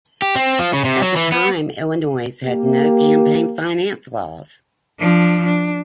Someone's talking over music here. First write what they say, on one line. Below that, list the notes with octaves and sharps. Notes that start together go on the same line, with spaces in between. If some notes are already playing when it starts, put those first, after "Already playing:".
At the time, Illinois had no campaign finance laws.
G4
C4
F3
C#3
C3
F#3
E3
B3
A#3 G4
F3 D4
D4